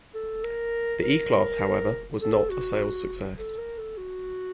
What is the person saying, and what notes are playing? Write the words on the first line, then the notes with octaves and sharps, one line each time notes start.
The E-Class however, was not a sales success.
A4
A#4
A#4
A4
F#4
A4
A#4
A4
F#4